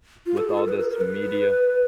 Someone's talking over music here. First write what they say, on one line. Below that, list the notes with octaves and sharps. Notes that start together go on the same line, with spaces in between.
with all this media.
F4
A4
G#4
A4
B4
A#4
A#4
B4